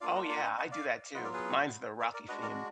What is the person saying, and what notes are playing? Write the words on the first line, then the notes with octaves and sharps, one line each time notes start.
Oh, yeah, I do that too. Mine's the Rocky theme.
A#3 D4 F4 D5 F5
D#5 F#5
D5 F5
B4 D#5
D#5 F#5
D5 F5
F#3 B3 F4 B4 D#5
A#4 D5
G#4 B4
A#4 D5
A#4 D5
G#3 D4 F#4 B4 D#5
A#4 D5